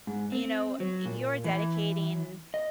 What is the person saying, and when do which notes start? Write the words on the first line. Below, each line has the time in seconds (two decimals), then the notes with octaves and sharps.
you know, you're dedicating
0.07 G#2
0.32 C4
0.80 F#3
1.05 A#2
1.44 E3
2.54 D#5